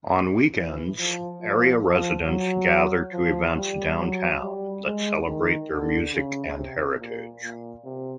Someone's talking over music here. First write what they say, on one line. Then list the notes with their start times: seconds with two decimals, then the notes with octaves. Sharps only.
On weekends, area residents gather to events downtown that celebrate their music and heritage.
0.56 E3
0.98 F3
1.42 F3
1.84 F3
2.27 F#3
3.13 F3
3.56 G3
3.99 F#3
4.42 G3
4.85 G#3
5.27 D#3
5.70 D3
6.13 C#3
6.56 C3
6.99 A#2
7.43 A#2
7.84 C3